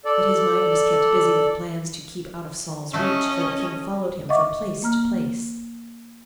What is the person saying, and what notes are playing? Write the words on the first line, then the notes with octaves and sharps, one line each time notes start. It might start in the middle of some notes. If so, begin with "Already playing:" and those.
But his mind was kept busy with plans to keep out of Saul's reach, for the king followed him from place to place.
A4 D5
F#3 A3 C#4 D#5
D#5 E5 F#5 C#6 D6
A#3 A#5 F6